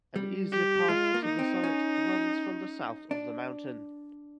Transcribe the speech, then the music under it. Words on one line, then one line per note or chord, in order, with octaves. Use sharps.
An easier path to the summit runs from the south of the mountain.
G3
G4
G#3 F4
A#3
D#4
C4
C#4
D4